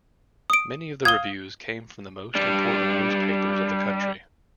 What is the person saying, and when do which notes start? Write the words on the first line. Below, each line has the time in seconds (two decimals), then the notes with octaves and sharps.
Many of the reviews came from the most important newspapers of the country.
0.50 D#6 D7
1.05 F5 D#6 G#6 G7
2.35 G3 D4